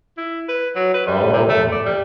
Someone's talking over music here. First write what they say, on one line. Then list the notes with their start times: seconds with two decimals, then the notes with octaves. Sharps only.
Oh, man.
0.17 E4
0.49 B4
0.75 F#3
0.94 B4
1.07 G3
1.33 C3
1.49 A3
1.72 D5
1.86 G3